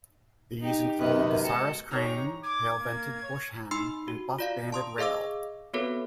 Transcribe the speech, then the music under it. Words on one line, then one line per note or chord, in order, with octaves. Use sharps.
These include the sarus crane, pale-vented bush-hen and buff-banded rail.
D#4 G4
F#2 C3 D#3 B3 B4 D#5
G#3 F#4 A4
G#3 D#4 G4 C5 C#5 A#5 C#6
D6 G#6
A#3
C#5
D#4 B5 C6 E6 C7
F#4
F4 D5 F5
A5 C6 D#6
G#4 D#5 F5 D6 E6
B3 C4 F#4 A4 B4 C#5